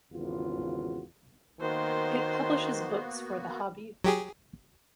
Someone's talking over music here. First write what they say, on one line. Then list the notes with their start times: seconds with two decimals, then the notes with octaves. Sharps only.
It publishes books for the hobby.
0.13 G#1 E2 C#3 F4 F#4
1.61 D#3 A#3 B3 F#4 C5 C6
4.04 F#3 G4 G#4